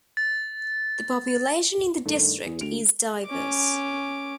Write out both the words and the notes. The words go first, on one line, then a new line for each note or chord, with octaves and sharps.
The population in the district is diverse.
A6
G2 D#3 A3
E2 G#4
D2 D7 F7
C#4 D6